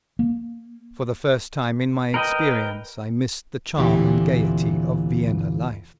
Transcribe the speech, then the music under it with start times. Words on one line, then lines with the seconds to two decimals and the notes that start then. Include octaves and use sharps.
For the first time in my experience I missed the charm and gaiety of Vienna life.
0.19 A#3
2.14 A#4 B4 D#5 G5
3.77 D2 A#2 E3 C4 G4 E5